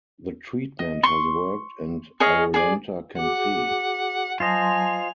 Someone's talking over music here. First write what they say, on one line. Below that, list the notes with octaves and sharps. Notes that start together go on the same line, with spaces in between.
The treatment has worked and Iolanta can see.
D#5
C6 C#6
G#4 C#5 D#5 F5
G#4 D5
F#4 G#4 F#5 D6
F#3 F4 C5 D#5 G#5 A5 F7